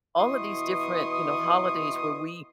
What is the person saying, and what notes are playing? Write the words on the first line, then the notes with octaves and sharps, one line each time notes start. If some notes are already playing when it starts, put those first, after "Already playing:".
all of these different, you know, holidays where we
B2 E3 E4 C6 C#6 D#6